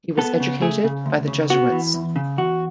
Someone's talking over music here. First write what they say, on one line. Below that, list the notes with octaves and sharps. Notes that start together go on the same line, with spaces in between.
He was educated by the Jesuits.
B3 A4
C#3
A3 G#4
C#3
D2
C#3
B3 F#4
E3
E2
C#3
E2 F#4